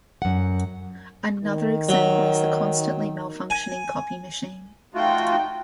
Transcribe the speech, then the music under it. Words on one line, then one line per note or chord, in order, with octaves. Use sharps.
Another example is the constantly malfunctioning copy machine.
F#2 F#5
D#3
F#3
G#5
A3 D#4 F4 F#4 G5